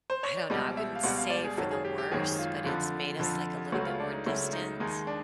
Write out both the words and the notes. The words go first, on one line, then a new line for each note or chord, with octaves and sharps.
I don't know, I wouldn't say for the worse, but it's made us, like, a little bit more distant?
C5
C#5
D5
C#2 B2 G3 D#5
E5
F5
C#2 B2 G3 F#5
F5
D5
G#4
G#1 F#2 D#3 F#3 A4
G#4
G4
G4
G#1 F#2 D#3 F#3 G#4
F4
F2 D3 F3
F2 D3 F3
C#2 C#3 F#3 A3 F#4
F4
D4
D#4
C#2 C#3 F#3 A3 E4
D#4
D#2 D#3 G#3 D#4
D4